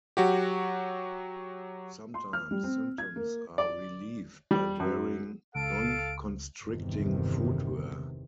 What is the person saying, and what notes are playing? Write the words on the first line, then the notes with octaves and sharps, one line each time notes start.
Sometimes symptoms are relieved by wearing non-constricting footwear.
F#3 F#4 G4
C6
F6
G3
C4
G#6
A#3
D5
G3
F#2
C#2 A4 F5 D7
G1 E2 C3 D#3